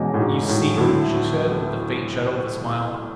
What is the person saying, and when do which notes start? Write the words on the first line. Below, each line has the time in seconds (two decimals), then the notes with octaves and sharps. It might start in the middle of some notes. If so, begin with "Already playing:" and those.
"You see?" she said, with the faint shadow of a smile.
Already playing: E1 E2 B2 G#3 C#4
0.14 A2
0.20 G#2
0.48 A2
0.77 D2 A2 D3 F#3 B3 E4